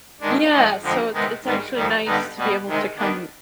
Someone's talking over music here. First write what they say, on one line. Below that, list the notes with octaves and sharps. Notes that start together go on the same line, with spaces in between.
yeah, so it's it's actually nice to be able to come
G2 D#3 G#3 D4
G#2 F3 G#3 C4 D#4
F2 D3 F3 G#3 C4
C3 D#3 G#3 B3 D#4
G#2 D#3 G3
F2 D#3 G3
G2 D3 G3 B3 D#4
B2 G3 B3
C3 D#3 G#3
D#3 B3 D4